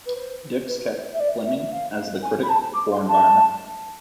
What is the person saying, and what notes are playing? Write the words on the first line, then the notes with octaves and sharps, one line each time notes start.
Dix kept Fleming as the critic for Environment.
B4
C5
B4
C5
E5
D5
E5
F5
G#5
B5
A5
D6
C6
A5